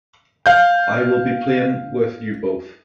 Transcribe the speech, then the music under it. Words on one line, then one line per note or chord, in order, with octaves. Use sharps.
I will be plain with you both.
F5 G6